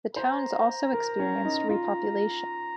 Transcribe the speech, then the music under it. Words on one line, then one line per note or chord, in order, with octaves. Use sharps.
The towns also experienced repopulation.
C5 A#5
A#4
C#4
D#4
F4 A#5